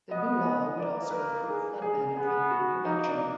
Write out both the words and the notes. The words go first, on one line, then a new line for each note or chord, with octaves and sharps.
The new law would also improve flood management and prevention.
B3 D#5
D#5
A#3 D5
B4
A#4
G#4
G#4
B3 G#4
F#4
A#3 D#4
D4